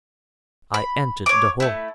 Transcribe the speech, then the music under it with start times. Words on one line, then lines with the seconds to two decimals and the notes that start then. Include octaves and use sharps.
I entered the hall.
0.74 B5
1.26 C#5 D6
1.60 A3 E4